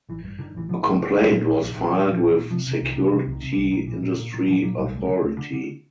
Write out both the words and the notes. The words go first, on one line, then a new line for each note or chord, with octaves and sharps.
A complaint was filed with Security Industry Authority.
A1 E3
G2
D3 D#3
A1 E3
D3 F3
A1
F#3
D3
G3
D3
A#2 F#3
A#1
A#1
D#3
A#1
A#2 E3
A#2 F3
A#1
E3
A#2
C3 F3
C3 D#3
C2
D#3
C3
C3 E3
C2 D#3
C3
D3
C2
B1 D#3
A#2 E3
A#2
D3
A#2
A#2 D#3
A#2 F3
A#2 F#3
B1 G3
D2
D3
D2
D3
D3